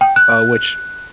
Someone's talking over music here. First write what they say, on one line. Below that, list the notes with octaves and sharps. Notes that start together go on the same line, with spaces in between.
uh, which
G5
F#6